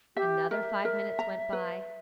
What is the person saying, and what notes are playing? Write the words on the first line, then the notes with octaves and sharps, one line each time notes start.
Another five minutes went by.
G4 E5
A#4 E5
A#4
A#5
B4